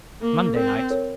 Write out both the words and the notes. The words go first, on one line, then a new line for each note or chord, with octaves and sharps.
Monday night?
A#3
C4 A#4
A#4 C#5